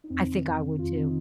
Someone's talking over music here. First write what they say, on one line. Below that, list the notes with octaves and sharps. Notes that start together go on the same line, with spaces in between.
I think I would too.
D#4
F2 C4
C3 D#3
F2
C3 D#3
F2 F4
C3 D#3 C4
D#4